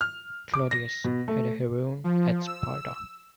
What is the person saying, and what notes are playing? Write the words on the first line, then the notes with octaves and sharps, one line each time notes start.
Cleodaeus had a heroon at Sparta.
F6
D6
A#6
B2
A3
F3
E6